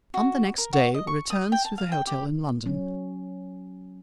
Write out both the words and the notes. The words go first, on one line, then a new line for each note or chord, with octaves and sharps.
On the next day we returned to the hotel in London.
F#4
A#4
F#4
D#5
C#6
D#6
G5
A5
F5
G5
G4
F#3 C#4